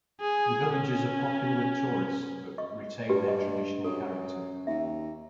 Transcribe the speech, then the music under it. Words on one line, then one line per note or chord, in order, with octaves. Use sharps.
The villages are popular with tourists but retain their traditional character.
G#4
C#4
D#5 C#6
G2 G4 B4
D#5 C#6
F#2 A4
D#2 E5